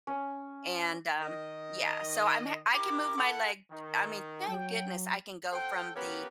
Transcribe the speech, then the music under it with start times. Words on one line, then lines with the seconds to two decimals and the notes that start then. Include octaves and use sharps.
And, um, yeah, so I'm ha I can move my leg I mean, thank goodness I can go from the,
0.07 C#4
1.21 D#3 D#5
2.73 E4 G4 A#4 D6
3.18 E4 A4 F#5
3.71 D#3
4.48 F#3 G5
5.52 A4 C5 F#5 G5
5.96 B3 C#4 F4 G4 A#4 B4